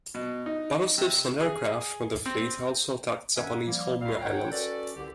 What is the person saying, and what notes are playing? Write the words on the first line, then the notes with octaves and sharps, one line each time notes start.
Battleships and aircraft from the fleet also attacked the Japanese home islands.
B2
D#4
C3
G#4
C4
G2 D#3 C#4 E5 F#5 G#5
F3 G3 A#3
C2 A#2 G3 C4 F5
A#4 C#5 F#5 G5
C#4 F#4 A4 B4 D5
C2 D3 G4